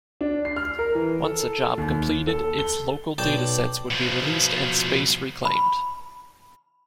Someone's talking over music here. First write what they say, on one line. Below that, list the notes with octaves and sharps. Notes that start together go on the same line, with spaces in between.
Once a job completed, its local datasets would be released and space reclaimed.
D4
C7
F6
A#4
E3
A4
D#2
A4
G7
B1 D5 G5 A5
B2 F3
B5